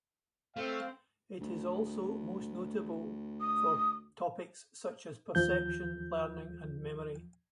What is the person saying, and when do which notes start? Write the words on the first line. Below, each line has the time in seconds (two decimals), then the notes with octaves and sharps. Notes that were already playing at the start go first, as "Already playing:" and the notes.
It is also most notable for topics such as, Perception, Learning, and Memory.
0.57 A3 C4 F5
1.41 D2
3.40 D#6
5.35 D#2 F3 G6